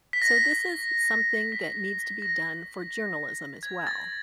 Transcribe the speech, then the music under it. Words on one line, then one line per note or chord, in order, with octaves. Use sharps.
So this is something that needs to be done for journalism as well.
B6
A#6
B6
B6
A#6
B6
A#6
G#6
A6